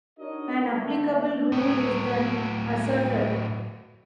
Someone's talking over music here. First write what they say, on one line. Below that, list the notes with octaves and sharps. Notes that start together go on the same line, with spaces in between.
An applicable rule is then asserted.
D4 D#4 F#4 A#4 C#5 D#5
D3 A3
A2 F#3